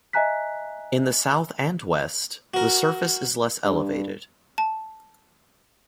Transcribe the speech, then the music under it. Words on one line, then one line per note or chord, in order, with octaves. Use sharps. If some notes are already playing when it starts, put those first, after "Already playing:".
In the south and west, the surface is less elevated.
D#5 E5 G#5 A#5 F#6 B6
F#4 A#4
G2
A5